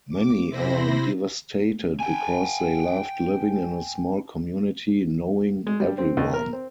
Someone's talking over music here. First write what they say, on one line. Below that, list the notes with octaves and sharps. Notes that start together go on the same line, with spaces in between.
Many are devastated because they loved living in a small community, knowing everyone.
D6
C3 E4 C5 B5 A#6
G5 G#5
G#3
G3
C4
D#2
A#4
C4